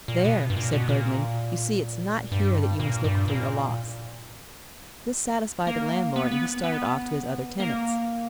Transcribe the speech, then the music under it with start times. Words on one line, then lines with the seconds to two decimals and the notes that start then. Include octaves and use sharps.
'There,' said Bergmann, 'you see it's not here that you must look for your loss.' This satisfied the landlord, and he started off to his other tenants.
0.08 A#2
0.24 B2
0.50 G2
0.56 A#2
0.73 B2
0.89 A#2
2.32 G2
2.80 A#2
3.04 G2
3.28 A#2
5.67 A#3
6.16 B3
6.31 B3
6.64 B3
7.60 A#3